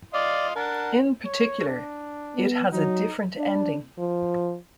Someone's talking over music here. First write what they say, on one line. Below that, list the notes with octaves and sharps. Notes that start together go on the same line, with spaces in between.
In particular it has a different ending.
D5 D#5 F5 C6
D4 A#4 F#5 A5
C#5
D4
B3
F#3 D#4
D4
F3